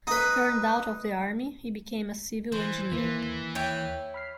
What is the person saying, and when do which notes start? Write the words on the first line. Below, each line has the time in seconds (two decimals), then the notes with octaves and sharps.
Turned out of the army, he became a civil engineer.
0.07 D#4 B4
2.52 E3 C5
2.92 D#2 E3 A#3
3.55 C#5 E5 G5
4.14 B5 F6 C7